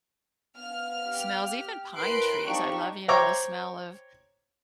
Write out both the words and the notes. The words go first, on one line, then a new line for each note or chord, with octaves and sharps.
smells, even pine trees, I love, you know, the smell of,
B3 F5 F6
G4
A2 A#4 B4 C6 F#6 C7 D7
C4 D4 D#4 G4 F5 C#6
C5 C#5 G5 A#5 C#6 D6